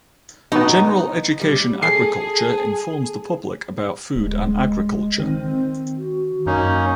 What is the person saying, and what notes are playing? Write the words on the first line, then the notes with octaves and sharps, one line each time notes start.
General education agriculture informs the public about food and agriculture.
B2 B3 D#4
G3
G#4 A4 C7
D1 G#3
D#3 C4
F#4
F#2 A#3 C#4 D#4